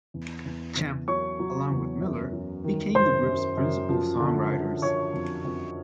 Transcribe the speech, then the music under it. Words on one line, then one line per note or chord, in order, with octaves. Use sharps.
Champlin, along with Miller, became the group's principal songwriters.
E2
E2
E2
F#3 C#5 C#6
F#3
E2
F#2
F#3
D#3
F#2 C5 C6
F#2
F#2
F3
D3
D3
F3 C#5 C#6
F2
F2